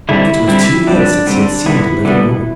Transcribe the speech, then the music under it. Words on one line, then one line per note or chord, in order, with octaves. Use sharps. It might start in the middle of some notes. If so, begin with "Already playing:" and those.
It was two years since he had seen the living woman.
D3 G3 C4 E4
D3 G3 C4 E4
D3 G3 C4 D4
D3 G3 C4
D3 G3 B3 E4
D3 G3 B3